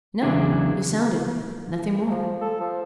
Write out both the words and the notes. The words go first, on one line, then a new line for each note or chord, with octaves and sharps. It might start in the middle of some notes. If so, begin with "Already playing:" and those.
No, you sounded me, nothing more.
E2 C#3 F#3 D4 E4 G#4
F3
A4
F3